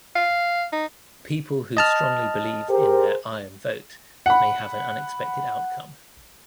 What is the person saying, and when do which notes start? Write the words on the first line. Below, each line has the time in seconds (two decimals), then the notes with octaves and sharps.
People who strongly believe in their "iron vote" may have an unexpected outcome.
0.16 F5
0.72 D#4
1.77 D#5 A5 F6
2.69 G4 G#4 A#4 C5
4.26 F#5 B5